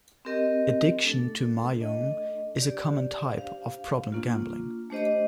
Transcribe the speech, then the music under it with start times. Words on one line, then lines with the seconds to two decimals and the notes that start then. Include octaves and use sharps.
Addiction to Mahjong is a common type of problem gambling.
0.25 C4 G4 A#4 D#5
1.03 A3 D4 A4
1.81 A3 D4 A4 D#5
2.58 D4 G4 D5
3.35 D4 G4 C5 F5
4.12 A#3 D4 F4
4.90 A3 D4 G4 C5 D#5